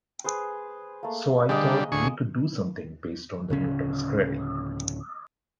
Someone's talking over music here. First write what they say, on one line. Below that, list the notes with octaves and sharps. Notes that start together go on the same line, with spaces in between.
So I thought we could do something based on the Newton's cradle.
G#4 B4 C5
A3 A#3
D3 G3 G#3 D#5
D2 G#4 C#6
D1 C#3 C#4